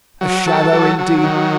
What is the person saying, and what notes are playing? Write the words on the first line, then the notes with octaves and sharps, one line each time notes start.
A shadow indeed!
F#3
A4
F#3
F#3
D#3